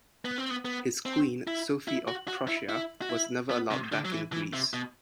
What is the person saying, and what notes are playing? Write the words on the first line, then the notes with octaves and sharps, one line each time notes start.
His queen, Sophie of Prussia, was never allowed back in Greece.
B3
C4
B3
B3
C4
E4
E4
F#4
F#4
E4
E4
F#4
E4
B3
C3
D3
F#3
E3
E3
C3
B2